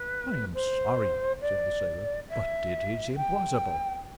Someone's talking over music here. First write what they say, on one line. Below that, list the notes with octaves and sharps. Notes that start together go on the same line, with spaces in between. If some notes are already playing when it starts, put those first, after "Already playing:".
"I am sorry," said the sailor; "but it is impossible."
Already playing: B4
C5
D5
E5
G5